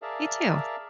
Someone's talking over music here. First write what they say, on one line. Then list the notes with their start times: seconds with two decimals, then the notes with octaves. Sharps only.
Me too.
0.02 G#4 A#4 D5 E5 F5 A5